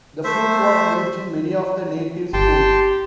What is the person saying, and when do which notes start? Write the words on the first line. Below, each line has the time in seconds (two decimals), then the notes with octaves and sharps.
The fruit was used in many of the natives' foods.
0.24 A3 C5 E5
2.33 G1 G4 G5 A5 C6